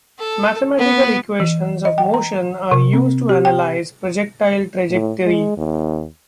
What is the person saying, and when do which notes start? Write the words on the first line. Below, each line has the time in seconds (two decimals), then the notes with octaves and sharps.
Mathematical equations of motion are used to analyze projectile trajectory.
0.19 A4
0.78 B3
1.40 E3
1.85 D#5
1.98 G5
2.14 A#5
2.71 C3
2.93 C4
3.29 G4
3.45 G5
4.91 A2
5.23 G#3
5.58 D#2